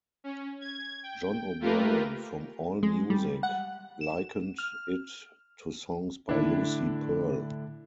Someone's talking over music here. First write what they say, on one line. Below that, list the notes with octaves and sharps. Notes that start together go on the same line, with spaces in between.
Jon O'Brien from AllMusic likened it to songs by Lucy Pearl.
C#4
G#6
G5
A3 A#3 F4 G4 A#4 B4
G#3
G3
F#5
E7
F6
A2 D3 D4 E4